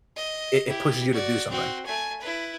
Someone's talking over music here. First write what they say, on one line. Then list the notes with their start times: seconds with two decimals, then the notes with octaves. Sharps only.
it it pushes you to do something.
0.16 D#5
0.67 E4 G4
1.12 F#4 D5
1.51 C4 F#4
1.86 A3 G#5
2.21 E4 B4